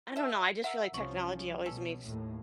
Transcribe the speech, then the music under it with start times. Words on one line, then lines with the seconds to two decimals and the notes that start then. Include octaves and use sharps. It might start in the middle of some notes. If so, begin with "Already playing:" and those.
I don't know, I just feel like technology always makes
0.16 A4 E5
0.64 A#4 E5 F#5
0.94 C2 F3 C#4 C#6
1.66 B2 C#4 A4
2.03 D#2 A2